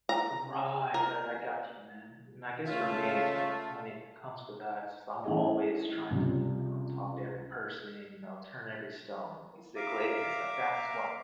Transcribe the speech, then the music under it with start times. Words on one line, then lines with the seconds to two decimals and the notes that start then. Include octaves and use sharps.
Right, right, I got you, man, and I guess for me, it's like when it comes to that, it's just, I'm always trying to, you know, talk to every person, you know, turn every stone basically, and it's like, "That's what."
0.09 A#5
0.94 A#4
2.66 C#3 A3 F4 E5
5.24 E3 A3 C#4 D#4 G#4 D#5
6.11 C#2 C3 F3 G3
9.76 E5 F5 A#5 D6